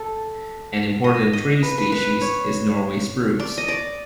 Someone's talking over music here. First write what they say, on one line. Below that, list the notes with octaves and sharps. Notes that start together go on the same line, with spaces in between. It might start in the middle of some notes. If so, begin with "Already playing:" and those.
An important tree species is Norway Spruce.
Already playing: A4
D#5
D#5
B4
B4
B4
C#5
D5
D#5
D5